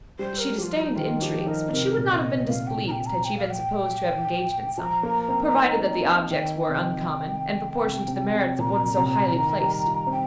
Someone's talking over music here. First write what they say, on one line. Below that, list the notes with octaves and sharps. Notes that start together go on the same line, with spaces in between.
She disdained intrigues; but she would not have been displeased had she been supposed to have engaged in some, provided that the objects were uncommon, and proportioned to the merits of one so highly placed.
G3 C5
A#4
F3 F4 G4
F4
D#4
D#3 F4
F3 G4
D#4 A#4
C3 A#4
A#2
D#5
C3
A#2 F5
G5
A#5
G5
A#5
G5
F5
G5
F3 A#5
A#3
C4
D#4
C4
C4
D#3 G5
C3
C3
C3
C3
A#2 A#5
C3
D#3
G3
F4
C4
G5